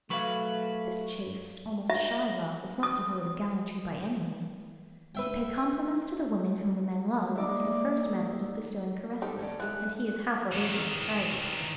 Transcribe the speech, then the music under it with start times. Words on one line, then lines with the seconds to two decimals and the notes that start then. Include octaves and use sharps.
This chaste, almost shy love was not devoid of gallantry, by any means. To pay compliments to the woman whom a man loves is the first method of bestowing caresses, and he is half audacious who tries it.
0.10 F#3 A3 B4 F5 B5 C#6
1.90 E5
2.83 D#6
5.15 B4 E5 G5
7.36 A#3 D#4 D5 E5
9.22 D#4 G4 A4
9.39 D2 C#4 D5
9.60 E3 G3 G#3 F#6
10.52 D#3 E3